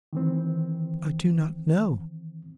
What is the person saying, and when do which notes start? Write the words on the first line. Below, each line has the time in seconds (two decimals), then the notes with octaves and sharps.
"I do not know."
0.13 D#3 E3 C4